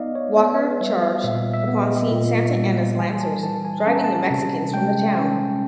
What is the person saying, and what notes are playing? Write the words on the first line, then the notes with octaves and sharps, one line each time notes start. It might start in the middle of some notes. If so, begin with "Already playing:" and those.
Walker charged, upon seeing Santa Anna's lancers, driving the Mexicans from the town.
Already playing: B3 D#4 D5 D#5 F5
C#5
B3 C#5
B4
G3 E5
F5
A#2 E5
E5
B3
D#5
A#2
G3
E3 G#5
A5
E3 A5
G#5
C#4 A5
A#5
A5
C3
G#3 G5
C#4